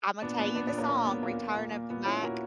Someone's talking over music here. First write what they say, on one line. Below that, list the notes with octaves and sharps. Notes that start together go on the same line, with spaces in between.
I'm a tell you the song, Return of the Mac.
A#2 B3 D4
A#2 B3 D4
A#2 B3 D4
B3 D4
A#2
A#3 C#4
A#2 A#3
A#2 B3
A#2 A#3
A#2
A#2
A#2
A#2 B3
A#2 C#4 E4
A#2 F#4 A#4